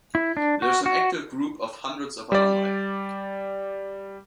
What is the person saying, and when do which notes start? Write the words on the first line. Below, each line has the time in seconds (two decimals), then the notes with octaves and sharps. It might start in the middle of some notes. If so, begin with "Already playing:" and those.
There is an active group of hundreds of alumni.
0.15 E4
0.37 D4
0.62 F#4
0.86 F#4
2.32 G3 D5